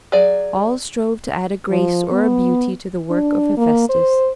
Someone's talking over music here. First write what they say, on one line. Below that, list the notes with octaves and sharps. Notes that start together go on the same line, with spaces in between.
All strove to add a grace or a beauty to the work of Hephaestus.
F#3 G#4 D5
F3
B3
D4
A#3
C5